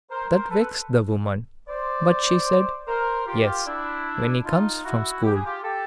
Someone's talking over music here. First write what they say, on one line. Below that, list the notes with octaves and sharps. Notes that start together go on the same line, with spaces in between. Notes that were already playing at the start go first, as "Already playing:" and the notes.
That vexed the woman, but she said, "Yes, when he comes from school."
A#4 C5
A#4 C5
A4 B4
C5 D5
A#4 C5
F4 G4
D4 E4
D#4 F4
E4 F#4
G4
G#4
F4 G4
G4 A4